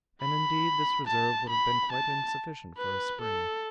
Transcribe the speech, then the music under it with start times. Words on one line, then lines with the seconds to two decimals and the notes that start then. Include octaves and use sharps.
And indeed this reserve would have been quite insufficient for a spring.
0.22 B5
1.07 A5
1.50 B5
1.93 A5
2.78 B4
3.21 A4